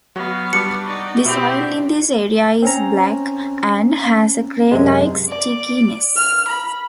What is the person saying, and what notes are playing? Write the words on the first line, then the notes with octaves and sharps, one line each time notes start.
The soil in this area is black and has a clay-like stickiness.
F#3 B3 F#4 D#5 F5
G3 D4 F#4 D6 C#7
D#4 D5
B2 C4 E4 F#4 G4
C4 C#4 A#5
F#2 C3 G#3
D5
F6
B5